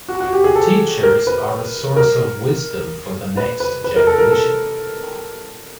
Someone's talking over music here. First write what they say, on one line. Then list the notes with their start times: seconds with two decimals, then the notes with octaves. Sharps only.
Teachers are a source of wisdom for the next generation.
0.09 F#4
0.20 F#4
0.33 G4
0.44 G#4
0.56 A4
1.03 A#4
1.27 B4
1.96 A#4
3.37 B4
3.60 B4
3.84 B4
3.96 A#4
4.07 A4
4.18 A#4
4.31 A4